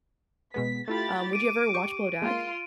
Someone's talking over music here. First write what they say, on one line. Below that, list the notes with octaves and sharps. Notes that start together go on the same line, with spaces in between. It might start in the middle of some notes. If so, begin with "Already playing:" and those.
rum, would you ever watch Below Deck?
B2 G#3 B3 B6
A3 E4 F4 G4 B5 A6
D6 D7 D#7
G4 C#6
G#3 A#3 F4 C6